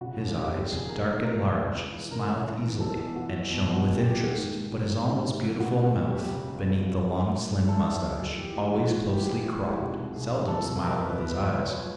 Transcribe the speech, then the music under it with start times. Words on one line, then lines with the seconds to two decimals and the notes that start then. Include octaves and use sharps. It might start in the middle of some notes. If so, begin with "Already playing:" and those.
His eyes, dark and large, smiled easily, and shone with interest, but his almost beautiful mouth, beneath the long slim mustache, always closely cropped, seldom smiled with his eyes.
0.01 C#3 F#4
0.19 D#2
0.36 D#2 G4
0.54 F3
0.71 C#3 G#4
0.88 D#2 A#4
1.06 D#2
1.24 F3 A#4
1.41 C#3 B4
1.58 C#2
1.76 C#2
1.94 E3
2.11 C#3 A#4
2.28 C#2
2.46 C#2
2.64 E3
2.80 B2 A4
2.98 E2
3.15 E2 F#4
3.33 F#3
3.50 B2
3.68 E2
3.74 F#4
3.85 E2
3.96 G4
4.02 F#3
4.20 D#3
4.38 G#2
4.55 G#2
4.72 F#3
4.90 D#3
5.07 G#2
5.25 G#2
5.43 F#3
5.60 C#3 F#4
5.77 C#2
5.83 F#4
5.95 C#2
6.06 G4
6.12 F#3
6.30 C#3
6.48 C#2
6.64 C#2
6.82 F#3
6.99 D#3
7.17 F#2
7.34 F#2
7.51 F#3
7.69 D#3 A4
7.87 F#2
8.04 F#2 G#4
8.22 F#3
8.38 E3 G4
8.56 G#2
8.73 E3 F#4
8.91 G#2
9.09 E3 G4
9.26 G#2 G#4
9.44 E3 G#4
9.61 G#2 G4
9.78 C3 F#4
9.96 C2
10.13 C2 G#4
10.31 F3
10.48 C3 A4
10.66 C2 A4
10.83 C2 A#4
11.00 F3 B4
11.18 B2 B4
11.36 C#2
11.42 B4
11.53 C#2
11.65 C#5
11.71 F#3